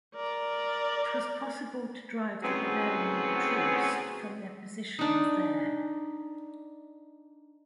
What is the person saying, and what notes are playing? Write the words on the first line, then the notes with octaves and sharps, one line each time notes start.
It was possible to drive the Bavarian troops from their positions there.
A#4 D5
A2 C#3 F#3 B3 C4 G#4
D4 D#4